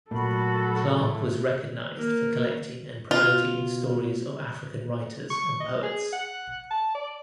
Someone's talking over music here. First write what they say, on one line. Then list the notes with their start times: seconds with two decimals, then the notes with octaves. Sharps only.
Clarke was recognized for collecting and promoting stories of African writers and poets.
0.11 A#2 F#3 A3 A#3 F#4 A4 B5
0.99 A2
1.97 A#3
3.11 B2 F4
5.30 C#6
5.60 D#5
5.83 G#4
6.13 F#5
6.70 A5
6.94 D5